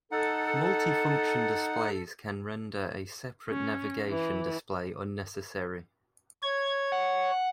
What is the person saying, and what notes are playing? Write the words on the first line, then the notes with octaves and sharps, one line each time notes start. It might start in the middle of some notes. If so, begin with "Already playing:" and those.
Multi-function displays can render a separate navigation display unnecessary.
D#4 A4 F#5
C#4
E3
C#5 G#6
F#5